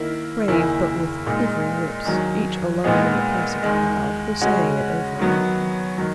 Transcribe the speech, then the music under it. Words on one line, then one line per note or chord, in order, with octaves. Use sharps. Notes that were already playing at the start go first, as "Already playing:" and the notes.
Brave, but with quivering lips, Each alone in the press of the crowd, Was saying it over and over.
Already playing: D#3 A#3 E4
F#1 E2 D#3 A#3 E4
A#2 G#3 D#4
E2 D#3 F#3
A#2 G#3 B3 D#4 G#4
E2 D#3 G#3
C#3 G#3 C#4 F#4
D#3 F#3 B3
D#3 F#3